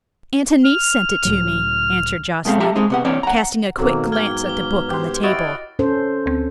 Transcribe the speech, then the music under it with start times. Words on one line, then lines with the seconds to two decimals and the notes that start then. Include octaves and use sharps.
"Aunt Annice sent it to me," answered Joscelyn, casting a quick glance at the book on the table.
0.65 F6
1.25 C#2 A2 F#3
2.45 B2 G#3 A3 C4 F5
2.60 G4 E5 A5 A#5
2.75 G#2 G#3 C4 D#4
2.90 C3 B3 F#5
3.04 E3 C4 C#5 D5
3.23 F#5 A#5
3.79 B2 D#3 F#3 A#3 C4 A4
4.12 G#2 B3 G5 F6 G#6 G7
4.46 D6 G7
4.90 G4 C5 C6
5.23 E4 F#4 C#5 D#5 D#6 A6 D7
5.79 C#4 A4 C5
6.26 D2 C4